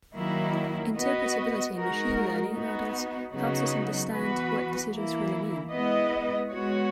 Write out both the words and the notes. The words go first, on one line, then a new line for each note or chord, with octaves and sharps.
Interpretability in machine learning models helps us understand what decisions really mean.
D#3 F#3 A#3 E4
B3 F#4 B4 D#5
G#3 D#4 F#4 A#4
B3 D#4 F#4
C#3 F#3 B3 D#4 F#4
E3 B3 F#4 B4
E3 A#3 E4
G#3 B3 E4 B4 D#5
G#3 B3 F#4 C#5